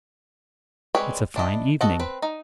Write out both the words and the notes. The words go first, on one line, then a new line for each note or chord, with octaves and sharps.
"It's a fine evening."
G3 G#3 C4 B4 C#5
D4 E4 D#5
F#4 A4 D#5 F#5
C4 B4
D#4